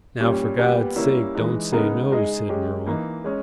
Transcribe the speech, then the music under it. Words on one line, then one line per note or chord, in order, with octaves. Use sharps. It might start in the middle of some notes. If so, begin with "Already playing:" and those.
"Now, for God's sake don't say no," said Merwin.
A#2 G3 C#4 G4
A#2 G3 B3 G4 B4
G3 A#3 C#4 E4
E3 G#3 D#4
C#3 G#3 B3 D#4 A#4
G#3 D#4 G#4 D#5
G#3 C#4 G4
E3 A#3 D#4
G#3 C#4